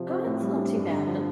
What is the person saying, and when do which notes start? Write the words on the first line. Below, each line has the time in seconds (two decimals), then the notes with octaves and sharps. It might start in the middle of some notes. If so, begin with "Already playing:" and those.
Oh, that's not too bad.
Already playing: C3 F3
0.10 C4
0.26 A2
0.42 G3
0.58 D4
0.75 G2
0.92 D3
1.08 F3